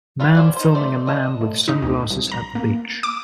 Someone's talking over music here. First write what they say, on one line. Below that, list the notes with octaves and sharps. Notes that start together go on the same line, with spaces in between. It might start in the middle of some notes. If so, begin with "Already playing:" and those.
Man filiming a man with sunglasses at the beach.
D4 F4 B4 F5
C5 D5 G#5
D#4 C5
A3 C5 D5
D4 D#5 A5
A2
D#4
D2
C2
A#5
A#3
D6